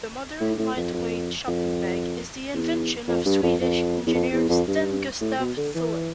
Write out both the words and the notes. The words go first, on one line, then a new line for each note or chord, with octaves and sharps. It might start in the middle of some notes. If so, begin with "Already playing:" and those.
The modern lightweight shopping bag is the invention of Swedish engineer Sten Gustaf Thulin.
A2
A2
F2
F2
F2
E2
F2
G2
F2
F2
E2
F2
E2
F2
G2
A2
B2
D3
E3